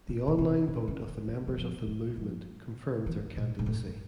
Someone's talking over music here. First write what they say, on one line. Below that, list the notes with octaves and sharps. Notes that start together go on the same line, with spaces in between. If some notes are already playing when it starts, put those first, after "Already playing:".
The online vote of the members of the Movement confirms their candidacy.
C3
B2
C3
C#3
C#3
D3
E3
F#3
F3
F#3
F3
E3
A#2
G#2
A2